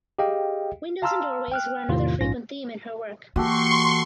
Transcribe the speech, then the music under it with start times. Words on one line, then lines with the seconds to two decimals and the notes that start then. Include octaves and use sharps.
Windows and doorways were another frequent theme in her work.
0.19 G4 G#4 D#5 F5 G5
1.02 F5 A5 A#5 C6 E6 F6
1.52 G5 F6 F#6
1.89 E2 A2 C3 D#3 F4
2.21 A#1 G#2 C#4 F4 A#6
3.36 E3 A#3 F#4 G4 A4 C6 C#6